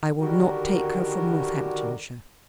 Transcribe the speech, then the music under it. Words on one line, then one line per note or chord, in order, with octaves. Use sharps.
I will not take her from Northamptonshire.
D3 D#3 G3 F#4 G4 A#4